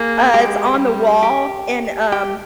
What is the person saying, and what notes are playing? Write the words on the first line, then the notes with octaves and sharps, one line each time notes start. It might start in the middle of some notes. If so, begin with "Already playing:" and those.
uh, it's on the wall and, um
Already playing: A#3 G#4
G#3 G4
G3
G4
G4